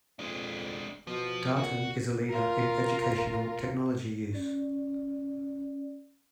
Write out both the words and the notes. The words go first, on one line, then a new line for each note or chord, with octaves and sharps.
Darton is a leader in educational technology use.
F2 G#3 D4
B2 F3
A#2 F#4
F4 A#4
C#4 D5